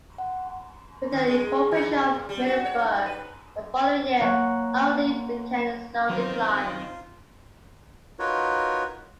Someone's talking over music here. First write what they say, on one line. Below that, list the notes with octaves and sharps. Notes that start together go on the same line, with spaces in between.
With the incorporation of Middleburg the following year, Aldie began a slow decline.
F#5
D#3
G#3
A#2
E3
C3
A#2
G3
F#4
C#5
D#4
B4
A#3 C#5 F#5
D#3 F3 F#3 B3 C4 F4
D#4 F4 F#4 A#4 B4 C#5